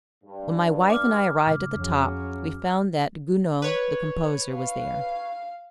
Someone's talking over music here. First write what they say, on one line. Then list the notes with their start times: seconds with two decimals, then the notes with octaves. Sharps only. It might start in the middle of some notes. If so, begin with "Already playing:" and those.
When my wife and I arrived at the top, we found that Gounod, the composer, was there.
0.24 G2
0.90 D6 F6
1.46 G#2 C#3
1.76 F2 C#3 F#3 C#4
3.62 B4 C#5
4.53 F5